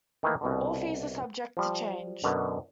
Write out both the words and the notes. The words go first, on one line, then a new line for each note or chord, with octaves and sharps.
All fees are subject to change.
D#3 E3 A3 A#3
C2 B2 D3
F3 G3
F#2 B2 D3